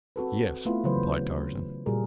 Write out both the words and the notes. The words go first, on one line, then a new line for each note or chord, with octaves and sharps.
"Yes," replied Tarzan.
C4 F#4 A4 B4
A3 B3 C4 E4 F4 B4
C#3 E3 F#3 B4 C5
A#2 G3 F#4 G#4 A#4